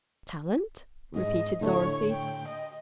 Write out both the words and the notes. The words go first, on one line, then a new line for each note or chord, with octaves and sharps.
"Talent?" repeated Dorothy.
G#2 D#5
A2 D3 A3 C#5
G5
D#5